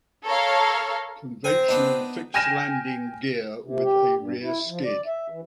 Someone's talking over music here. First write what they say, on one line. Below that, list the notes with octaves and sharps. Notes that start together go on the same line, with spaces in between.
Conventional fixed landing gear, with a rear skid.
A4 A#4 C#5 F5
C4 G#5 A#5
B3 D4 D#4
G5 G#5 F6 A#6 D#7 E7
C3
G4
G2
E4
F3
D5
E5
E3